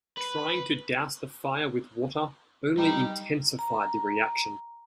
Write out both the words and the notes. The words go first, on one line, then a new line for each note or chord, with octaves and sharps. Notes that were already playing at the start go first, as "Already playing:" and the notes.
Trying to douse the fire with water only intensified the reaction.
B4
G3 D#4 G4
A#5